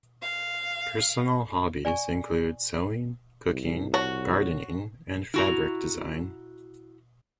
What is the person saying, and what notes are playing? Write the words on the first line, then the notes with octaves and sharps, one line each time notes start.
Personal hobbies include sewing, cooking, gardening, and fabric design.
F5
D5 G#5 A5 C#6
C2
F#4 C#5 A5
E4 F#4 A#5